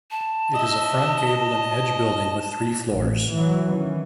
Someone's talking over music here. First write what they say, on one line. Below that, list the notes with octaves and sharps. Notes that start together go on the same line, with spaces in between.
It is a front-gabled and edge building with three floors.
A5
D#5 E5
D#5
A1
E3 F#3
D#3 E3 C#4